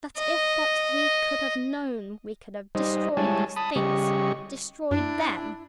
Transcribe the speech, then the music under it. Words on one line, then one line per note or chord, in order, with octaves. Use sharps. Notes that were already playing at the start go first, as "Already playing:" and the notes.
That if but we could have known we could have destroyed these--Things--Destroyed--Them?
D#5
G3 D#4 C5 D#5
G3 G#3 E4 C#5 G#5 A5
A5 B5 D#6
C#3 G3 G4 D#5 C#6
F#2 D4 E4